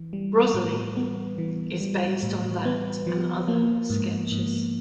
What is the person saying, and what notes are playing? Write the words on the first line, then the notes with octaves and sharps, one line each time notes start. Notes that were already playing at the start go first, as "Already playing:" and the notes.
Rosalie, is based on that and other sketches.
Already playing: E3
G3
A2
B3
E3
G3
A2
B3
F3
A#3
G#2
G#2